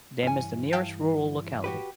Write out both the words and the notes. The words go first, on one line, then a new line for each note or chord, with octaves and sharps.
Dim is the nearest rural locality.
G2 E3 C#4 G#5
F5 G5 A5
F#4 G4 B4